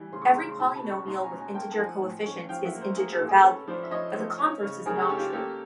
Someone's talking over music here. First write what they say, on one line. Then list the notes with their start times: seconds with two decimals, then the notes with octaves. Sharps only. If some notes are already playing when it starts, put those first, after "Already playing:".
Every polynomial with integer coefficients is integer-valued, but the converse is not true.
Already playing: E3 G3 G#5
0.12 C#3 C6
0.22 C#6
0.31 A#5 C6
0.36 C#3
0.48 C6
0.59 B2 A5 B5
0.75 A5 B5
0.84 C#4
0.91 B5 C#6
1.07 B2 A#5 C6
1.23 G#5 A#5
1.31 C#4
1.39 G#5 A#5
1.54 A#3 G5 A5
1.72 A5
1.78 F3 F#5 G#5
2.02 A2
2.26 C#4
2.49 F3 F5 G5
2.65 E5 F#5
2.73 A#3
2.81 A#4 C5
2.97 A#3 G#4 A#4
3.12 G4 A4
3.20 A#2
3.28 G#4 A#4
3.44 C#4 A4 B4
3.67 F3 C5 D5
3.83 E5
3.91 F3 C#5 D#5
4.15 A3
4.38 C#4
4.62 C#3
4.86 C#3 G#4 A#4
5.02 G4 A4
5.09 C#4
5.17 F4 G4
5.33 A#3 G4 A4